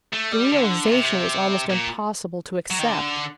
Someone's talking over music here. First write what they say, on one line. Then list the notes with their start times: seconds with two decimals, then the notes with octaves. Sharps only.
The realization was almost impossible to accept.
0.13 A3
0.32 G3
0.52 D3
0.86 A#2
0.91 C3
1.70 A#2
2.70 F#3
2.79 D#3
2.88 D3